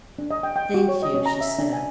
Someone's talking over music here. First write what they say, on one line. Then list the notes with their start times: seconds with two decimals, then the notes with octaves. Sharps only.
"Thank you," she said.
0.19 D4
0.31 D#5
0.43 G5
0.56 G5
0.74 F#4
0.88 C#5
1.02 D#5
1.14 C#4
1.26 A#5
1.41 E5
1.59 D4
1.73 G#5